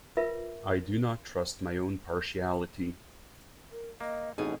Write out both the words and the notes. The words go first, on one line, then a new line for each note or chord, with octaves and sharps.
I do not trust my own partiality.
F4 A#4 B4 E5
A#4
A#3 D#5
A1 B2 C4 D#4 G#4